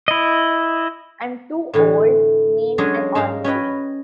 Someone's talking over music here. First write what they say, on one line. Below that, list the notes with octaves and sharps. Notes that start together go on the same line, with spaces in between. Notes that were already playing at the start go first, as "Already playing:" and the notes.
I'm too old, mean and ornery.
E4 D#5
A2 D3 E3
F#3 G#3 C#4 D4 G#4 D#5
G#2 D#4 A#4 F5
C#4 B4 D#5 G5